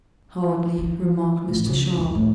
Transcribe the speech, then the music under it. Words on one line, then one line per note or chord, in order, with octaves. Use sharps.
"Hardly," remarked Mr. Sharp.
E4
A1
C#3
F2 G#2
A2